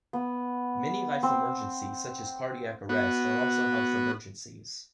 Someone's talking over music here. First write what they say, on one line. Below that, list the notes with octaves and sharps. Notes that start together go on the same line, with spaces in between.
Many life emergencies, such as cardiac arrest, are also health emergencies.
B3
C4
B3 F#4